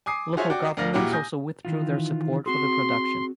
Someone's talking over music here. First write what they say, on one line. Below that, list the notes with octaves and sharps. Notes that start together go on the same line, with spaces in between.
Local governments also withdrew their support for the production.
G#5 D6 D#6 C7
F4 F#4 G#4 C5 C#5 E5
F#4 D5 G5 D6
D2 A#4 D5 F5 A#6
E1 A#2 E4 F#4 G4 D6
G#5 D#6 G6 A#6
D#3 E3 F4
C4 F#4 G#4 C6